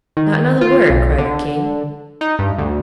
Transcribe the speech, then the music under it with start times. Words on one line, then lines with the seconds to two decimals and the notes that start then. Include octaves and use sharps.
"Not another word!" cried the king.
0.17 D#3
0.61 F4
0.90 B1
1.18 D3
2.21 D#4
2.39 G2
2.58 D2